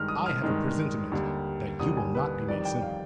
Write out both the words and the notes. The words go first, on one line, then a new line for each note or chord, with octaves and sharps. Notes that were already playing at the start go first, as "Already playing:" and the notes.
I have a presentiment that you will not be made senator.
Already playing: G2 D#3 G#3 F6
D#6
F6
G2 D#3 G#3
D#2 D3 G3
D#2 D3 G3 D#6
G#5
B4
F2 D#3 G3 D5
G5
F5